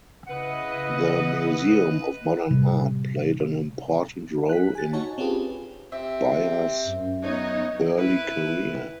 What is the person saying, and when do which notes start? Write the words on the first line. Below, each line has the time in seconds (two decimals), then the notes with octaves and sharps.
The Museum of Modern Art played an important role in Byars's early career.
0.27 C#3 E4 B4 D#5 F#5
2.50 A2 C3 G3
4.49 F#6 B6
4.75 G#5 A6
4.93 D#4 F#4 C#5 A5
5.18 C4 C#4 F4 G4 G#4 B4
5.92 C4 G4 E5
6.85 F#2
7.23 B3 D#4 C#5 D#5
7.97 E4 B4